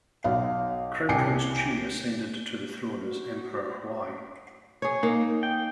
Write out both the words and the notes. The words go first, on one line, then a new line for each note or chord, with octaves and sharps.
Crown Prince Chi ascended to the throne as Emperor Huai.
B1 F5
C2 G5 G#5 D6 C7 C#7
F#4
G#4 C#5
A#3 D#4
G5